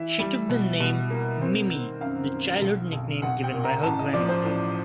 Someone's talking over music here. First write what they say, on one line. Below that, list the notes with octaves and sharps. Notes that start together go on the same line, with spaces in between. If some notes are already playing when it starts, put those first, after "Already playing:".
She took the name "Mimi", the childhood nickname given by her grandmother.
Already playing: E3 E5
G3
B2
B2
A#3
C4
D#3
F#2 F5
D#3
B1
B1
B1 F#5
G5
A#2
A#5
A1 A5
D#5
F3 D5
C5
A1